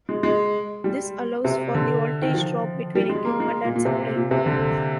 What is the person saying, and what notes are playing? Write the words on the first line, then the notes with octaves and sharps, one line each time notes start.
This allows for the voltage drop between equipment and supply.
G#3
G#3
G3
C3
D3
D#3
F3
G3
G#3
A#3
G#3
A#2
A#2
C3
A#2
C3
D3